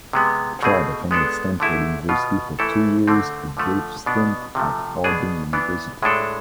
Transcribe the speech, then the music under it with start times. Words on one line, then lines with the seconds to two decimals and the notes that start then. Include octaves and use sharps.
Chad attended Stanford University for two years a brief stint at Harding University.
0.13 C3 G#3 B3
0.63 B2 A3 C4 G#4
1.11 G#3 B3 D4 A4
1.60 D3 A3 E4 G#4
2.09 B2 B3 F4
2.59 E3 A3 E4 A4
3.07 D3 A3 C4
3.57 D3 F3 A3
4.06 B2 B3 D4
4.55 C3 F3 A3
5.04 B2 B3 D4 G#4
5.53 E3 B3 D4
6.02 A2 G#3 D4 F4 A4